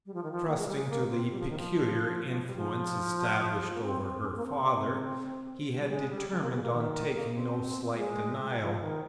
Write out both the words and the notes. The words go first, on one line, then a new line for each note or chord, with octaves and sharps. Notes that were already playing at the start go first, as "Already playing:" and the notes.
Trusting to the peculiar influence established over her father, he had determined on taking no slight denial.
G3
F3
D#3
F3
A#3
G#3
G3
G#3
A#3
C#4
C4
G3
F3
D#3
F3
G3
F3
A#3
C4
C4
C#4
C4
A#3
C4
G3
G#3
G3
G#3
A#3
C4
G#3
A#3
D#3
A#3
C4
A#3
G#3
G#3
F3
D#3